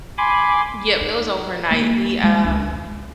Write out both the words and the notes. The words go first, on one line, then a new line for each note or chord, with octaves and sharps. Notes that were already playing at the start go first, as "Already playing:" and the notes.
Yep, it was overnight. We, um
G#5 B5 C6 D6
D#4
A#3
G#3 A#3
C#2 D4
F2